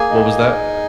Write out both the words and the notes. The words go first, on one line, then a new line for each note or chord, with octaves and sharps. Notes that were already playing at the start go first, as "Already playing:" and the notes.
What was that?
Already playing: A#3 G#4 G#5
D#4